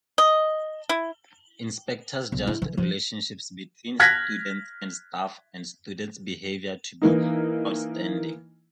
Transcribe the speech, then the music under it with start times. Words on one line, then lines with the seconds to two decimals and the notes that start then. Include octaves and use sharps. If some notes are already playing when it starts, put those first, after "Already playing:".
Inspectors judged relationships between students and staff and student behaviour to be "outstanding".
0.18 D#5
0.89 E4
2.32 B1
2.47 E4
2.62 E3
2.77 F3
4.00 F6 F#6 G#6 A#6 B6
7.02 E3 A#3 D#4